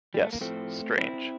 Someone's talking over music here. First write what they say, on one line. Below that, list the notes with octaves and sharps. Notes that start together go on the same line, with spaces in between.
Yes, strange.
G3
A3
A#3
A2 F3 A3 C4
C4 E4